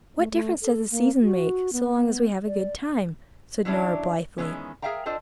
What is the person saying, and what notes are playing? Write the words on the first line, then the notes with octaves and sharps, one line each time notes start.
"What difference does the season make, so long as we have a good time?" said Nora blithely.
A3
A3
A4
A#3
F#4
B3
B3
D5
E3 F#3 C#4 D4 E4
D#3 E3 G#3 B3 C#4
G#4 A#4 E5 F5 G5 A#5
D4 F4 A4 C5 D#5